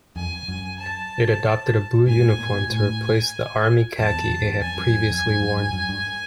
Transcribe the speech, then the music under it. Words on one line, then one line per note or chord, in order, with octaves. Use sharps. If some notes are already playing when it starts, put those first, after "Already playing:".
It adopted a blue uniform, to replace the army khaki it had previously worn.
F2 G#5
F#2
A5
G#2 G#5
A2
A#2
A#2
A2
F2 A5
E2
F2
E2
F2 G#5
F#2
F2
F2
G2
F#2
G2
F#2
G2